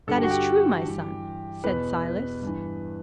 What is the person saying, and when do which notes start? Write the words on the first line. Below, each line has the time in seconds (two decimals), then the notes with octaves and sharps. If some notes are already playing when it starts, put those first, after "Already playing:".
"That is true, my son," said Silas.
0.07 G2 D3 A4
0.15 G4
0.23 F#4
0.31 G4
0.86 G2 E3
1.64 E2 B2 B4
2.42 G2 E3